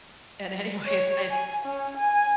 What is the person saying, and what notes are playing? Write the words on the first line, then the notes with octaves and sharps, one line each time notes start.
and anyways, I
C#5
G#5
C#4
G#5